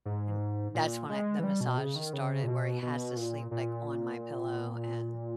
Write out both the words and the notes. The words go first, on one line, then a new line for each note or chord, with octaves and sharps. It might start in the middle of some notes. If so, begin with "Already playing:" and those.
And that's when I the massages started, where he has to sleep like on my pillow and,
G#2
A#2
G#3
E3
G3
B2
C#3
D#3
C#3
A#2
B2
B2
A#2
A#2